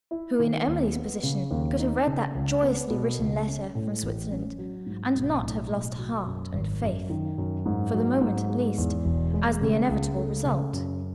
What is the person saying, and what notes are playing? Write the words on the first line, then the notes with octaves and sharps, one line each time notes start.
Who, in Emily's position, could have read that joyously-written letter from Switzerland, and not have lost heart and faith, for the moment at least, as the inevitable result?
E4
D#3
D#2
B3
C#3
D#2
D#4
C#3
C#2
B3
B2
C#2
C#4
A2
A1
C#4
F#3
G#2
B1
A2
B1
F#3
F#2
G#1
F#2
D#3
F#2
G#2
F#3
G#2
G#3
E2
E1
G#3
C#3
C#2
A3
C#3
F#2